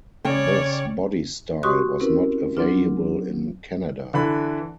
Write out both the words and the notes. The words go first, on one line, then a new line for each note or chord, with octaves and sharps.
This bodystyle was not available in Canada.
C#3 C#5 D5 G5
F#4 G4 C6 C#6 D#6 F#6
C4 C#4 E4 A#4 B4
F#3 C4 D4 F4
D3 E3 B5